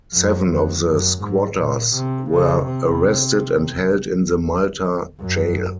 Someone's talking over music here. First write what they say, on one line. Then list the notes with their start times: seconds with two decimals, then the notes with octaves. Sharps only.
Seven of the squatters were arrested and held in the Malta jail.
0.14 F#2
0.50 F2
0.87 F#2
1.22 G#2
1.59 A#2
1.95 C3
2.30 C#3
2.67 C3
5.20 F#2